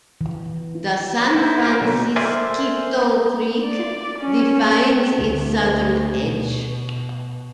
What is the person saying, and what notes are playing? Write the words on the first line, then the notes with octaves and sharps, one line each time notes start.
The San Francisquito Creek defines its southern edge.
E3
E4 A4 C5
C#4 F4 G4
B2 D3 F#3 A3
A4 A#4 C5 D5 E5 G#5
D5
C#4
D2
B2